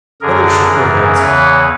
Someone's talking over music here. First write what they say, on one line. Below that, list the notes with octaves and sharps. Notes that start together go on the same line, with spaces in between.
The others shook their heads.
F#2 D3 G#4 A#4
F#2 C#3 E3
E2 C#3 E3 B4 C#5